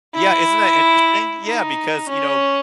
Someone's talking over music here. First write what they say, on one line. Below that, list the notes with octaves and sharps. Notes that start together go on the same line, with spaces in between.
Yeah, isn't that interesting? Yeah, because, you know,
E4
D#4
C#4